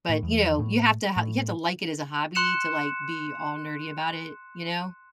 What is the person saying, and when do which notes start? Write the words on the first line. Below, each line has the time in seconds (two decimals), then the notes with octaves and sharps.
But, you know, you have to ha you have to like it as a hobby to, like, be all nerdy about it, you know?
0.09 A2
0.23 E2
0.59 A2
1.17 A2
2.35 C6 F#6 C#7 E7